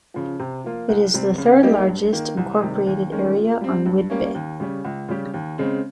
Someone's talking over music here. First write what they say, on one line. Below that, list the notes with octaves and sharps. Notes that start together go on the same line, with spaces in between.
It is the third largest incorporated area on Whidbey.
C#3 F3
C3
F3 A#3 F4
C2
C3 G3 C4
C#3
G3 A#3 D#4 G4
G2
D#3 A#3
C2
C3 D#3 G3
D#2
D#3 G#3 C#4
A#2
G3 C4
G2
G3 A#3 C#4
D#2
C#3 G3 C#4
C#2
C#3 G3 C#4 G4
D#2
C#3 G#3 C4